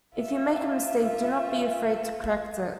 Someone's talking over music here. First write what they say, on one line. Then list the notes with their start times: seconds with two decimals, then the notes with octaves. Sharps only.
If you make a mistake, do not be afraid to correct it.
0.17 F4 E5